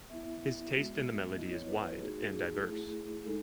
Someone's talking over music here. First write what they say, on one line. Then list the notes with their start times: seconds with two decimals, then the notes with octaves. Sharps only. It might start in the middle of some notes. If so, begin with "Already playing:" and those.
His taste in the melody is wide and diverse.
0.10 B3 E4 E5
0.73 G#3 B3 F#4
1.37 B3 E4 D#5
1.51 C#5
1.68 B4
1.83 B4
1.99 A3 D#4 F#4 G#4
2.31 G#4
2.62 A3 E4
3.25 G#3 D#4 A4